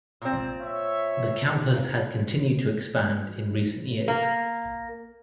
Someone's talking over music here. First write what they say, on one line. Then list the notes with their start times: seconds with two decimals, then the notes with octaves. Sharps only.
The campus has continued to expand in recent years.
0.22 A#2 C4
0.60 C#5 E5
4.08 A#3